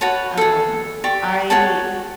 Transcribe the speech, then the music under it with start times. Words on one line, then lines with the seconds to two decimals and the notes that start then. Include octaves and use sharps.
um, I
0.01 F#4 B4 C#5 A5
0.37 G#4 A4
1.04 G4 D5 C#6
1.50 F#4 G#4 C#5 A5